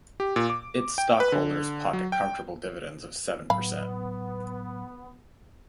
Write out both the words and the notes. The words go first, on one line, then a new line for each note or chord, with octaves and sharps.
Its stockholders pocket comfortable dividends of seven per cent.
G4
A#2
D6
G5
B4
D3
F#3
G5
A2 F#3 B3 F5 B5